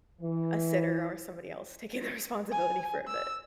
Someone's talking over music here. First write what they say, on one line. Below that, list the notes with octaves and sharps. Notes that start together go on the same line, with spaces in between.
a sitter or somebody else taking the responsibility for a bit.
E3
G#5
E6